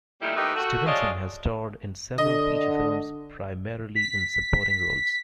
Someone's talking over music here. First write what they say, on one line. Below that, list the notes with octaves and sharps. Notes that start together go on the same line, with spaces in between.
Stevenson has starred in several feature films, primarily in supporting roles.
A#2 D#3 G3 A3 E4
D#3 A3 B3 D#4 G4
A3 F#4
G#3 D4 F4 C#5 D#5
D3 D#5
B6